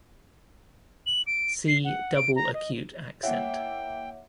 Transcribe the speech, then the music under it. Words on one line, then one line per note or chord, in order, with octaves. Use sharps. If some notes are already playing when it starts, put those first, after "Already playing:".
See double acute accent.
F#7
D7
C7
F#5
D7
A#5
D#5
A#3 E4 C#5 E5 F#5 G5